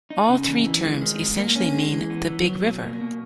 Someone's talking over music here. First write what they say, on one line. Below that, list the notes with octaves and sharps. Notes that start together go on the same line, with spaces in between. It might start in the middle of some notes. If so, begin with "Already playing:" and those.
All three terms essentially mean "the big river".
D#4
C#3
E2
E3
G#3
D#3
G#2
A#3
C#4
G#3
E3
B3
E3
F#3
B2
A#3
B2